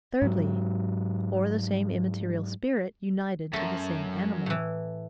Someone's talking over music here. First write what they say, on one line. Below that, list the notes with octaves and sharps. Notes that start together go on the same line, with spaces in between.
Thirdly, or the same immaterial spirit united to the same animal.
G#2 F#3
F#2 A3
A2 E3